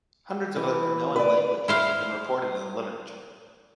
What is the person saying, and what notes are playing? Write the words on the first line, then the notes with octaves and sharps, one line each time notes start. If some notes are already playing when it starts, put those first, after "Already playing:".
Hundreds of other Panoan "languages" have been reported in the literature.
E3
B4 D5
E4 C5 F5